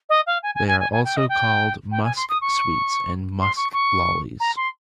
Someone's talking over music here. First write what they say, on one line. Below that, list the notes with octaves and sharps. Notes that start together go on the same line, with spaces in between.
They are also called 'musk sweets' and 'musk lollies'.
D#5
F5
G#5
G#5
G#5
G#5
G#5
G5
D#5
G5
G5
G#5
C6
D#6
C#6
C6
C#6
C#6
A#5
C6